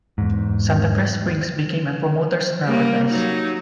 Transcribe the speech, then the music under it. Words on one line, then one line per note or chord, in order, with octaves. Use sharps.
Santa Fe Springs became a promoters' paradise.
E2 G#2
G3 A#3
F#3 D#4